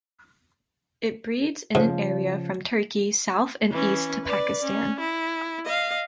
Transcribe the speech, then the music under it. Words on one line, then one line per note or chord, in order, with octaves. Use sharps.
It breeds in an area from Turkey south and east to Pakistan.
G#2 C#3 F3
E3 C#4
B4 D5
C#4
E4
D#5 F5